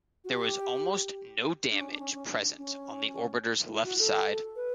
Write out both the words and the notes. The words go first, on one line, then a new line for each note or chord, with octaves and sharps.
There was almost no damage present on the orbiter's left side.
F#4
G4
D4
C#4
D4
C#4
C#4
D4
C#4
E4
F#4
A4
B4